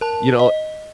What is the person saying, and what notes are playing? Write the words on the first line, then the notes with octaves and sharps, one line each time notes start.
You know
A#4 A5
D#5